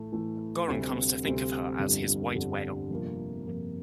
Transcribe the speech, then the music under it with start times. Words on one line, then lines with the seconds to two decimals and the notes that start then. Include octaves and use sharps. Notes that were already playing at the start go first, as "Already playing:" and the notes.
Goren comes to think of her as his "white whale".
Already playing: A2 E3 A3 E4
0.12 A2 E3 A3 E4
0.68 D2 C3 G3 C4
1.24 D2 C3 G3 C4
1.79 G1 F2 D3 G3
2.34 G1 F2 D3 G3
2.90 G1 F2 C3 F3 A#3
3.46 G1 F2 C3 F3 A#3